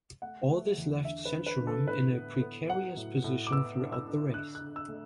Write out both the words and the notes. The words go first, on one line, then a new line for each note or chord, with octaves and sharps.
All this left Santorum in a precarious position throughout the race.
A3 F#5
A3
E2
D3 E5
B4
D3
B4
D3
A4
A2 B4
B3
B3
F#3 F#5
A2
A2
D6
B3 E6
D4
E6
D4
D3 F#6
F#6
D3
E6
A3